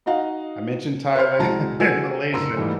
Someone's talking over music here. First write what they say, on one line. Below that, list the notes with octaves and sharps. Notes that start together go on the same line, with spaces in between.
I mentioned Thailand and Malaysia.
D#4 F#4 D#5 F5 F#5 A#5
C5 C#5 B5 C6 F6
C2 G#3 F#4 A5 A#5
F#4 G#4 A4 B4 G#5 E6
F#1 D3 A#5 C6 E6
G#2 E3 G3 A3 A#3